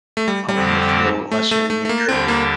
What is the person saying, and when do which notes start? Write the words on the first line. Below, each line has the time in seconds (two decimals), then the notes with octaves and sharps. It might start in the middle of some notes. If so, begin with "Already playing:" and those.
pump your fuel, unless you're in New Jersey.
0.17 A3
0.28 G3
0.49 G3
0.55 F2 D3 F3 C4 G4
1.31 A3
1.51 A3
1.70 A3
1.85 A3
1.89 A#3
2.09 D#2 D3 G3 C4 D4 G4
2.28 A#3